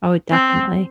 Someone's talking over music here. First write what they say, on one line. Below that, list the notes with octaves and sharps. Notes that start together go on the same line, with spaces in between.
Oh, definitely.
C4